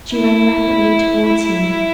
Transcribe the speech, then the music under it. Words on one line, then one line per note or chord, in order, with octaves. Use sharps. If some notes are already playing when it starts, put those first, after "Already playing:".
She ran rapidly toward him.
E4
E4